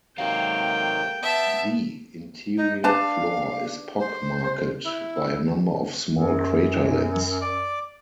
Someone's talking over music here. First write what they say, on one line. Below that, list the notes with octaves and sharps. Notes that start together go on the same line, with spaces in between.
The interior floor is pock-marked by a number of small craterlets.
C3 D#3 F#3 A4 A#4 F5 G5
B3 E5 A5
D#4
D4 B4 F5 A5
C5
E4
F#2
D5 D6